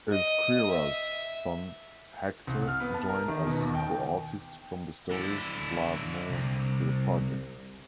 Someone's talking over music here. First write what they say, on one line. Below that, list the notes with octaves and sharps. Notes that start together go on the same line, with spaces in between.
Ezquerra's son Hector joined as co-artist from the stories "Blood Moon" to "The Project".
D#5
E5
C2
F6
B3
A5
A#4
D#3
B2
D#2
G5
D3 E4
C2